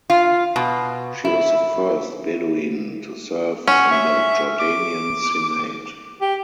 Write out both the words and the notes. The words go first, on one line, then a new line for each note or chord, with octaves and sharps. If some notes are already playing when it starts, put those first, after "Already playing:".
She was the first Bedouin to serve on the Jordanian Senate.
F4
B2
E4
C#4 F#5
E5
D6
G4